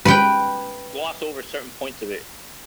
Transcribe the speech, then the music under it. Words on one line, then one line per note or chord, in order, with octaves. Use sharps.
gloss over certain points of it,
B4 G5